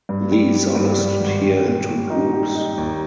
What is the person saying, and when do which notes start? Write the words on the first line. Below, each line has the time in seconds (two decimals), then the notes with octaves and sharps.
These are listed here in two groups.
0.09 G2
0.32 G3
0.54 G3
0.75 G2
0.99 G3
1.20 G#1
1.43 G4
1.66 A#2
1.88 A#2
2.10 D#4
2.33 G4
2.55 D#4
2.78 D#2